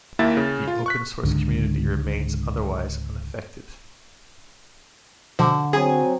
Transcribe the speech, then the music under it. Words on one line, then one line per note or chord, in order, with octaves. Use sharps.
The open source community remains otherwise unaffected.
D#2 A#3 E4 E5 A6
C#3
F4
C#6 F#6 B6
C#2 G#2 D3
B2 D3 F3
F#3 C4 G#4 G#5 B5 D#6